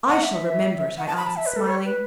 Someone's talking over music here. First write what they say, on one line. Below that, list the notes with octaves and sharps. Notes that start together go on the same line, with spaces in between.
'I shall remember it,' I answered, smiling.
F#5
E5
F#5
A5
B5
A5
E5
B4
A4
C#5
B4